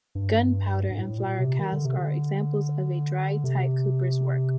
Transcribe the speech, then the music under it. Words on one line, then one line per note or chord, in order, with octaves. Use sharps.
Gunpowder and flour casks are examples of a dry-tight cooper's work.
G2
G2
A2
A#2
C3
D#3
D3
C3
D3
C3